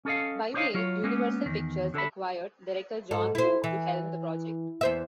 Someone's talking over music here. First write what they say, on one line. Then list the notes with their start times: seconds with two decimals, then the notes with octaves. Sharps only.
By May, Universal Pictures acquired director John Woo to helm the project.
0.05 C#4 A4 D#5 F5
0.54 D4 C5 C#5 D#5 F5
0.74 F#3 F4 C#5
1.04 G#3 A#3 B3 C#4
1.46 E2 D#3
1.94 D3 A4 C#5 E5 B5
3.11 G#2 A4
3.35 E4 C5
3.64 E3
4.81 E2 C5 E5